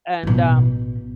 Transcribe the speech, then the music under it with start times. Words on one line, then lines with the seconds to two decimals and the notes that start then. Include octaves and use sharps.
and, um
0.23 A1 B2